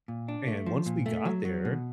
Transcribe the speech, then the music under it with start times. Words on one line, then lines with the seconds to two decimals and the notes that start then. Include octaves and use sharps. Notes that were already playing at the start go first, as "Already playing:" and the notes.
And once we got there,
0.08 A#2
0.28 D4
0.48 A3
0.66 F3
0.86 A#2
1.06 A3
1.25 F#3
1.45 F#3
1.65 B2